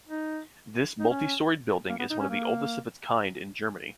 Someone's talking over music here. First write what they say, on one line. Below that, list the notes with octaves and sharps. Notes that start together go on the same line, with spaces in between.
This multi-storied building is one of the oldest of its kind in Germany.
D#4
D#4
C#4
A#3
B3
D#4
C#4
A#3